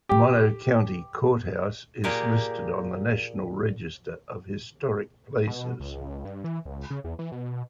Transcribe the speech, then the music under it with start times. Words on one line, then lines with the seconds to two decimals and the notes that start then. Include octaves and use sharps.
The Mono County Courthouse is listed on the National Register of Historic Places.
0.09 G4
2.04 A#2 A#3 G4 G#4
5.47 B2
5.80 C#2
6.25 G2
6.44 E3
6.65 C#2
6.90 C#3
7.04 E2
7.19 E3
7.32 B2